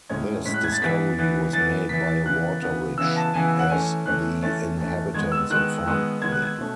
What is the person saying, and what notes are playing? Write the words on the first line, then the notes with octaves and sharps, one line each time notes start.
This discovery was made by a water-witch, as the inhabitants informed me.
A2 G#3 C#4 G#6
A2 G#3 C#4 B6
F#6
G#6
A6
E3 B3 B6
E3 B3
E3 B3 A6
E3 B3 B6
A6
C#3 E3 B3 F#6
C#3 E3 B3
C#3 E3 B3 E6
A5
C#3 E3 B3 G#5
F#5
E3 A3 C#4 G#5
E3 A3 C#4 F#6
E3 A3 C#4 A6
E3 A3 C#4
D#3 G#3 B3 G#6
E6
D#3 G#3 B3 F#6
D#3 G#3 B3
D#3 G#3 B3 G#6
F#6
G#6
B2 A3 C#4